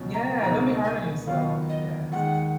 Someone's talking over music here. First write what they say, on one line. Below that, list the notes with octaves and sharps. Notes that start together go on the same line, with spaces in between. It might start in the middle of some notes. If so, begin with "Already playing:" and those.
Yeah, don't be hard on yourself, yes.
Already playing: C#2 B2 F#3 C#4
A#5
C#2 B2 G#3 D#4 A#5
G#5
D#2 D#3 F#3 B3 F4 F5
D#5
D#2 D#3 G#3 F#5